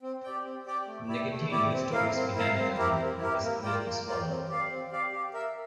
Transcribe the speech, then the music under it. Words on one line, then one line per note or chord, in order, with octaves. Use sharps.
Negative news stories began emerging and resignations followed.
C4
G4 D5 G5
C4
G4 D5 G5
A3
E4 G4 D5
A3
E4 G4 D5
C4
E4 A#4 F5
C4
E4 A#4 F5
C4
E4 G4 A#4
C4
E4 G4 A#4
A#3
F4 A#4 D5 G5
A#3
F4 A#4 D5 G5
C4
G4 D5 F5
C4
G4 D5 F5
G4
A#4 E5